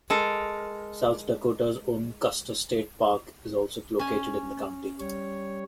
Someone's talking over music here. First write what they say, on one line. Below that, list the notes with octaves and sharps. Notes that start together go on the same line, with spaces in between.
South Dakota's own Custer State Park is also located in the county.
G#3 A4 A#4
C#4 G#5
G3 C#5